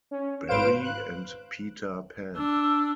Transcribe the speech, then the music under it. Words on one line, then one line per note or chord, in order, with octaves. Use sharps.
Barrie and Peter Pan.
C#4
G#1 B4 C5 F5 D7 E7
F#6
D4 E6